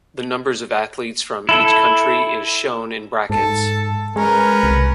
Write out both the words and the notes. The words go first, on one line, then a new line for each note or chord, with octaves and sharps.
The numbers of athletes from each country is shown in brackets.
E4 A4
G#2 A4 A5
G#3 C#4 A#4 B4
C2